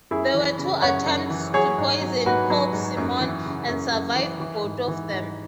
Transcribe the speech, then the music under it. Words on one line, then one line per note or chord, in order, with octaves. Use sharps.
There were two attempts to poison Pope Simeon and he survived both of them.
F#2 E4 G#4
E3
C#3
F#2 C#5 F#5
F#2
E3
F#3 G#4 C#5
G#2
F#3
G#2 F#4 B4
F#3
G#2
F#2
E3
C#3
F#2
F#2
E3
E3
G#2
E3
G#2